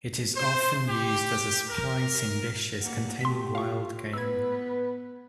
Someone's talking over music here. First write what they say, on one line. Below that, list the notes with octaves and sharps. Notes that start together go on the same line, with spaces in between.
It is often used as a spice in dishes containing wild game.
C5
G4
A#4
G2 A#3 F#5
A3 G4 C6 B6
F4 F5 C#6
B3 B4 E6 G#6